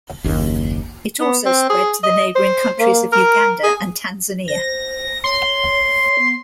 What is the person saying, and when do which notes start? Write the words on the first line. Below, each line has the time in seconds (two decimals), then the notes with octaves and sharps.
It also spread to the neighboring countries of Uganda and Tanzania.
0.24 F#1 D#2
1.20 B3
1.45 C4
1.70 G#4
2.03 D#5
2.35 C5
2.79 A#3
3.12 A#4
3.63 G#4
4.48 C5 A#6
5.24 C#5 C6
6.18 B3